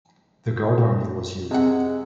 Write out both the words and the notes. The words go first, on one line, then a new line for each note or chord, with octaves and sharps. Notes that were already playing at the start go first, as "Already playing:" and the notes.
The guard army was used.
C3 G#3 F#5